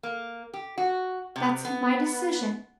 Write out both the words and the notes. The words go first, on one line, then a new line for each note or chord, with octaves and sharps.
That's my decision.
A#3
G4
F#4
C3
B3